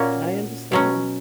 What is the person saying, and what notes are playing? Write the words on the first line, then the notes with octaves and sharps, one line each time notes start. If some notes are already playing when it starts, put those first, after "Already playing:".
I understand.
Already playing: A#2 A#3 C#4 F#4
B2 F#3 C#4